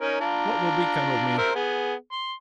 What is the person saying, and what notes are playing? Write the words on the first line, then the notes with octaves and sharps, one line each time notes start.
What will become of me?
C#4 D#4 A#4
D4 F4 A#5
A#4 C5 E5
B3 G#4
C6